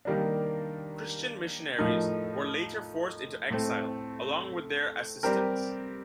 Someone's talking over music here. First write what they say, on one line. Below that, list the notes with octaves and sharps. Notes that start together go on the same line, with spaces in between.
Christian missionaries were later forced into exile, along with their assistants.
D#3 G3 A#3 D4
A2 F3 A3 D#4 A#4
A2 A3 C4
G3 C4 G4 A#4